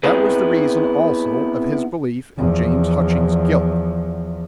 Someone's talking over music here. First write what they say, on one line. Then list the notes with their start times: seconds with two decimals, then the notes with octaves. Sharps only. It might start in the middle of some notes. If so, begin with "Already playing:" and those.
That was the reason also of his belief in James Hutchings' guilt.
0.04 B3 C4 D#4 E4 G#4 B4
2.38 E2 F3